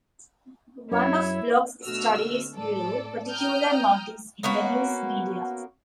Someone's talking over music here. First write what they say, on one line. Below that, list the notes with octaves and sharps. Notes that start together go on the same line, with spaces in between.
One of Block's studies drew particular notice in the news media.
F#2 E4 C#5
B2 D3 A3 F#4 E6 F6
A2 A4 D5
G5 A#5 D#6 F6 G6
A#3 B3 C#4 F#4